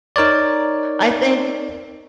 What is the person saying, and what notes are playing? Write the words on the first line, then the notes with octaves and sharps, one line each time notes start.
I think
D#4 A#4 C#5 D5